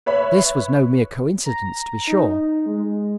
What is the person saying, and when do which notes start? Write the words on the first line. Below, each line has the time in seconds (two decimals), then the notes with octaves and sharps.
This was no mere coincidence, to be sure.
0.06 B4 C#5 E5 B5
1.46 A#5
2.07 D#4
2.66 G#3